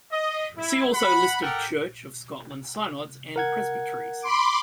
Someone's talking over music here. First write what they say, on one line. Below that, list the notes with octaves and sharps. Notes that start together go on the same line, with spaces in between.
See also List of Church of Scotland synods and presbyteries.
D#5
E4
F#5 B5
G4 A4 A#4 F#5 G5
A#4 F#5 G#6
B5 C6 D6